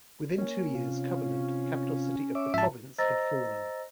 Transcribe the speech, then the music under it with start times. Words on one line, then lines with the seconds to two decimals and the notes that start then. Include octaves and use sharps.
Within two years, Covenant, capital city of The Province, had fallen.
0.38 A#3 C#4
0.75 C3 F4
2.35 C#5 E5 D6
2.54 G#2 F3 E5 A5
2.98 C5 D#5 A#5 E6 A6 A#6